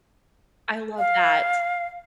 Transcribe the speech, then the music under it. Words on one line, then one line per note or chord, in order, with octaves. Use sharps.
I love that.
F5